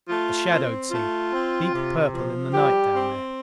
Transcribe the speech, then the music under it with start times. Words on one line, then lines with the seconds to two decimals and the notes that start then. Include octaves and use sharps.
A shadowed sea, deep purple in the night down there.
0.09 A3 F4
0.50 C4
0.91 A3 F4
1.31 C4
1.73 C3
2.13 F3
2.54 G3 G4
2.94 C4